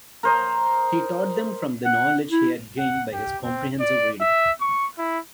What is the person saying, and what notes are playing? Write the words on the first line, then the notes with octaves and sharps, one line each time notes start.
He taught them from the knowledge he had gained by his comprehensive reading.
A#4 C5 D#5
F#5
E4
F#5
G4
C4
D5
E5
C#6
E4